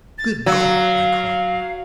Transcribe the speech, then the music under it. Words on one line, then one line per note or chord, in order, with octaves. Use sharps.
"Good God!" I cried.
A6
F#3 F5